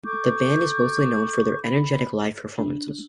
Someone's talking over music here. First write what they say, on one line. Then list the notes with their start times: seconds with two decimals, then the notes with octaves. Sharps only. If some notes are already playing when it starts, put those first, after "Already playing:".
The band is mostly known for their energetic live performances.
0.05 A4 C#6 D6 G6
1.63 B5
2.58 D4